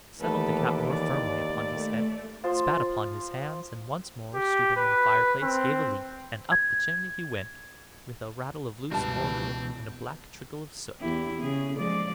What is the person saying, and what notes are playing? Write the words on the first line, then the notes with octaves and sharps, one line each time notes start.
He settled the cap more firmly upon his head, spat upon his hands, and once more stooping in the fireplace, gave a leap, and up the chimney he went with a rattle of loose mortar and a black trickle of soot.
D#2 E3 A3 A4 B4 D6
D5
A3
F3 A5 C6
G4
B4
C4
G#6
C#2 G2 B2 E3 C4 A5
E2 E4 G4
C#3 G#4
F3 G#3 D5